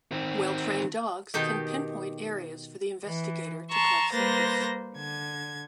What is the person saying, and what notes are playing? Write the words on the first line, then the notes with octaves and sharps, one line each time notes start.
Well-trained dogs can pinpoint areas for the investigator to collect samples.
D#3 C4
B2 D#3 D#4 G4
E3
A5 A#5 C6 C#6 E6
G3 A#3 B4 C5 A6 A#6
D3 G#6